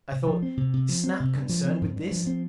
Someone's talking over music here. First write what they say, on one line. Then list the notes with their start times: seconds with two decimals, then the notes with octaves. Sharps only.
I thought, "Is Snap concerned with this?"
0.12 C3
0.27 F3
0.43 C4
0.57 C3
0.73 C3
0.89 F3
1.04 C4
1.20 C3
1.34 G2
1.49 F3
1.65 C4
1.81 G2
1.96 G2
2.11 F3
2.27 C4